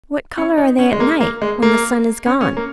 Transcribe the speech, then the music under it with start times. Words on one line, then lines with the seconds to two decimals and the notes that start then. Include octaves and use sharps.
What colour are they at night, when the sun is gone?
0.38 C#4
0.58 D#4
0.79 C#4
0.92 G#3
1.00 A#3
1.20 A#3
1.42 G#3
1.62 A#3
2.26 C#4
2.41 C#4
2.57 A#3